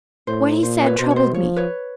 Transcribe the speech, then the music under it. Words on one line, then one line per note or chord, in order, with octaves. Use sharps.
What he said troubled me.
A2 C5
A#2 C5
B4 C#5
B2 C5
C#5
C5
F3 C#5
B4 C#5